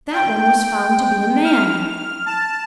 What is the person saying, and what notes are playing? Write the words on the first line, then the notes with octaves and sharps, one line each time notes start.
That one was found to be a man!
G5
F6
A5